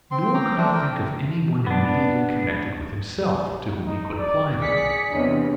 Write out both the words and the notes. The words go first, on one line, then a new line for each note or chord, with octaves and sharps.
Nor could he think of any one immediately connected with himself, to whom he could apply them.
C4 C6
G5 A#5 D6
A3 C4 D4
A#4 G5
B3 D4
D#4
D5
G#4 D5 B6 C#7
E2 C3 D4 C#5 D#5